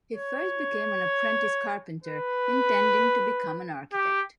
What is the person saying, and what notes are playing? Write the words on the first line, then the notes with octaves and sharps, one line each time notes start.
He first became an apprentice carpenter, intending to become an architect.
C#5
B4
G4